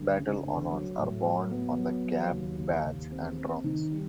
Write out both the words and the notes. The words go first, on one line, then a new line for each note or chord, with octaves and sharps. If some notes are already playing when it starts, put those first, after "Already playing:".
Battle honours are borne on the cap badge and drums.
Already playing: D2
C#3
D2
F#3
A2
F#3
B3
F#3
F#3
D#2
D#2
D#2
C4
C4
D#3
G3